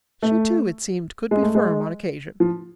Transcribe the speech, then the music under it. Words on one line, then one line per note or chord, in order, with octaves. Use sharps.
She, too, it seemed, could be firm, on occasion.
A3
G#3
A3
G#3
F3